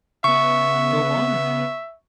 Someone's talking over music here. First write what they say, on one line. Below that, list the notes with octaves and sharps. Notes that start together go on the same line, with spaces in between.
"Go on."
C#3 B3 E5 C#6